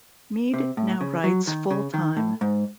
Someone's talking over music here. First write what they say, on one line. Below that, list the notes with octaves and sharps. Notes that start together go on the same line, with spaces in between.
Meade now writes full-time.
C3
A2
C#3
F#3
D#3
C#3
D#3
A2
G#2